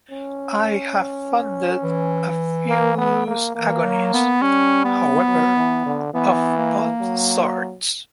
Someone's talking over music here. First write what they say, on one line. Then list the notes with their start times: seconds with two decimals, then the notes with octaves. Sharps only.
I have funded a few loose agonies, however, of both sorts.
0.11 C#4
1.83 E3
2.70 A#3
2.98 B3
3.27 A#3
3.55 E3 A#3
3.84 F#3
4.13 B3
4.41 G3 C#4
4.85 B3
5.28 F#3
5.56 E3
5.86 D3
6.14 E3 B3
6.57 A#3
7.01 F#3